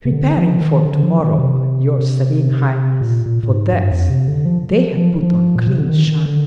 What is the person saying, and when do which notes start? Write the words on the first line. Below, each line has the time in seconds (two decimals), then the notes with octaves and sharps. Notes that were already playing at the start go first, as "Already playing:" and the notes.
"Preparing for tomorrow, your Serene Highness--for death--they have put on clean shirts."
0.05 C3
0.13 D3
0.37 F3
0.61 D#3
0.85 D3
1.03 F3
1.20 D#3
1.39 C3
3.01 A#2
3.26 A#2
3.43 A#2
3.49 G#2
3.73 G2
3.92 F2
4.10 C3
4.28 D3
4.45 F3
4.71 F3
4.97 F3
5.23 F3
5.55 A#2
5.67 C3
5.78 D3
5.89 D#3
6.08 D#3
6.26 D3